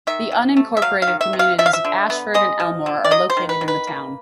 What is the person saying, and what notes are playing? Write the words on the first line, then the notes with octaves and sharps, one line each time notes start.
The unincorporated communities of Ashford and Elmore are located in the town.
D#3 E5
C3
A3
E5
F#3 F5
F5
D#3
E5
C3
F5
F3 E5
F5
E5
D3
B3
G#3 D#5
F3
D3
D5
F#3 D#5
C5
D#3
B4
D#3
B4
A#3